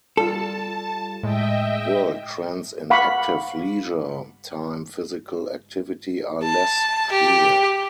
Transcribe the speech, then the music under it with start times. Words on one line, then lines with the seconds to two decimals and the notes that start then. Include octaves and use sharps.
World trends in active leisure time physical activity are less clear.
0.17 G3 F4 A4 A5
1.23 A2 G#3 D#5 E5 G5
2.90 F5 F#5 B5 C#6 D6
6.43 A5
7.12 G4